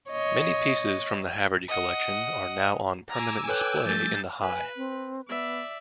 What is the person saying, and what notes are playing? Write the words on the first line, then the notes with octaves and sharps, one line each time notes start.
Many pieces from the Haverty collection are now on permanent display in the High.
C#5 D#5
D#5 F#5
G#5 A#5 D6 E6
A4 B4 C#5 G5 F#6
F3 G3 A3 G6 A6
B4 G#5
C4
B3 D5 E5